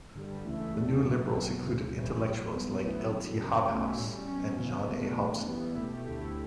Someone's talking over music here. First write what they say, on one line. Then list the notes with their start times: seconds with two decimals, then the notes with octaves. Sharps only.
The New Liberals included intellectuals like L. T. Hobhouse, and John A. Hobson.
0.14 G2 D3 G3
0.44 C#2 C#3 E3 A3 E4
0.73 E2 D3 A3 D4 G4
1.02 G1 G2 F#3 A3
1.32 B1 B2 F#3
1.61 D2 C#3 E3
1.91 F#2 E3 G3 C#4
2.20 B1 A2 F#3
2.51 B1 B2 G3
2.79 B1 A2 F#3 B3 E4
3.09 G1 F#2 D3
3.39 G1 F#2 C#3 G3 C#4
3.68 B1 B2 A3 C#4 E4
3.97 A2 G3 C#4
4.27 B2 F#3 C#4
4.56 D2 C#3 E3 B3 F#4
4.86 B2 F#3 A3 D4
5.16 A1 A2 E3 B3 D4
5.45 F#2 E3 G3 B3 E4
5.74 C#2 B2 A3 E4 G4
6.05 D2 D3 A3 E4 G4